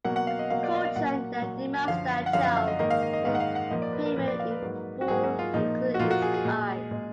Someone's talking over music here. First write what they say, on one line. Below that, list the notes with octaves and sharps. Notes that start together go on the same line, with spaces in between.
Ko Chun then demands that Chau make payment in full, including his eyes.
B2 F#3 A#3 F#5
F#5
F5
D#5
B2 F#3 A#3 F5
D5
D#5
F5
A#2 F#3 A#3 F#5
A#2 F#3 A#3
F#2 D3 F3 F5
F#5
F#2 D3 F3 F5
F5
F5
D#5
G#2 D#3 A#3 D#5
F5
D#5
D#5
G#2 D#3 A#3 F5
F#5
F5
F#5
A#2 F3 A#3 D#5
D5
B4
A#4
A#2 F3 A#3 B4
D5
F5
B4
G#2 F#3 A#3
F#4
G#2 F#3 A#3 G#4
F#4
F4
A#2 F3 A#3 D#4
F#4
A#2 F3 A#3 F4
F#4
G#4
G#4
A#2 G#3
A#2 G#3